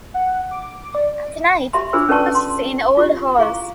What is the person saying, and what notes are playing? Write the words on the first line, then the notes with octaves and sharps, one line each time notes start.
At night it roosts in old holes.
F#5
D6
D5
G4 E5 B5 C6
D4 F4 G#4 C5 B5 E6
C#4 A4 B4 D5 A5 C#6
C6
F4 G4
E4 G#4 F5 A#5 C#6